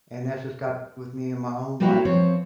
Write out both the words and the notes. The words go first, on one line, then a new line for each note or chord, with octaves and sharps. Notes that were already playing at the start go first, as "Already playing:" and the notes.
and that's just got with me in my own life.
G3 A#3 C4 E4 F#4 G4
F3 C4 C5 C#5